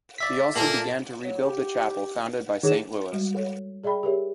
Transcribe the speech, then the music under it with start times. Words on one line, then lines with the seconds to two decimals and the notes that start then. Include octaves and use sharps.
He also began to rebuild the chapel founded by Saint Louis.
0.18 D5 E5 B6
0.55 A#2 A#3 A4 F#7
1.24 F#3
1.43 G4
2.63 D#3 F#3 G#4 E7
3.11 G3 G#3 F#4
3.35 A4 C#5
3.84 G#4 D5 E5 G5 B5
4.03 G4 G#4 A#4 C#5 E5